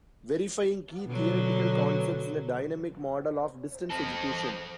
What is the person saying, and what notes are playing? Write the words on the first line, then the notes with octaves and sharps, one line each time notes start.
Verifying key theoretical concepts in a dynamic model of distance education.
B2 D3 F#3
C4 A4